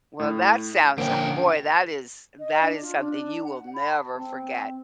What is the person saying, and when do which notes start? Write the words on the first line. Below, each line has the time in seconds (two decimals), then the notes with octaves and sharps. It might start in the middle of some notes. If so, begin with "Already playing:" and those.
Well, that sounds a boy, that is that is something you will never forget.
0.20 A2
0.98 A#1 D3 A#3 C#4 C5 G5 D7
2.40 D#5
2.61 D4
2.82 F4
3.00 D4
3.44 F#5
3.74 B5
3.89 A5
4.17 C4